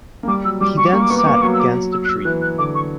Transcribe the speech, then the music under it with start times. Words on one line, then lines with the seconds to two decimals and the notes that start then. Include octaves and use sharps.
He then sat against a tree.
0.23 A#3
0.27 G3 D6
0.45 F#3 E6
0.61 G3 D6
0.77 G3 C#6
0.86 D6
0.93 A#3 C#6
1.02 D6
1.10 B3 C#6
1.18 D6
1.26 A#3 C#6
1.34 D6
1.42 F#3 C#6
1.54 E6
1.60 D6
1.92 E6
2.05 F#6
2.09 E6
2.25 E3 F#6
2.42 F#6
2.58 D3 D6
2.75 C#6